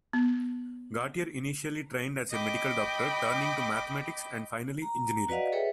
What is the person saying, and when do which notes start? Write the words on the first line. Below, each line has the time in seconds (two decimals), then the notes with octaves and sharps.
Gautier initially trained as a medical doctor, turning to mathematics and finally engineering.
0.13 B3
2.32 D#5 G5 B5 D6
4.82 A#5
5.28 F#4 B4 D5 D#5 F5 F#5
5.52 G#4 A4 B4 C#5 E5 G5